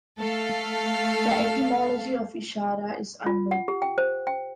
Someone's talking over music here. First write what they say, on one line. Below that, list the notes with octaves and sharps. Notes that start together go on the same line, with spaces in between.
The etymology of Ishara is unknown.
A3 A4 F5
F4
F#5
G4
G5
C5
G5